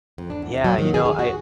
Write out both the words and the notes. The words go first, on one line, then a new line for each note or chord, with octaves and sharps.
Yeah, you know, I
F2
D4
E2
F#3
D#3
G#4
G#4
F#4